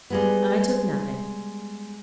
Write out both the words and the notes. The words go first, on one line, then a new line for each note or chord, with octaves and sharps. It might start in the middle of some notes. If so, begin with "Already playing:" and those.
'I took nothing.
G3 G#3 B3